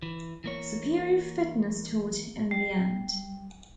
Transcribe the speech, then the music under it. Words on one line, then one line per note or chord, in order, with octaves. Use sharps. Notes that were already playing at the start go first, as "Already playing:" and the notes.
Superior fitness told in the end.
E3
E3 A#3 C#5
G3